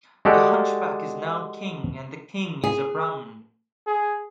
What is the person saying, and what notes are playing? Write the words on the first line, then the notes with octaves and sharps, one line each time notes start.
The hunchback is now king and the king is a Brahman.
G#3 F#4 G4 A4 D5
G#4
G#4